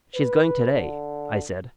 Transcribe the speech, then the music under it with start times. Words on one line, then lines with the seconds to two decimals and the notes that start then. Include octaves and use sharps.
"She's going to-day!" I said.
0.15 B4
0.73 D3